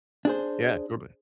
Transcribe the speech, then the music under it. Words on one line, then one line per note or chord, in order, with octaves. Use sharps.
Yeah, totally.
D4 G#4 C5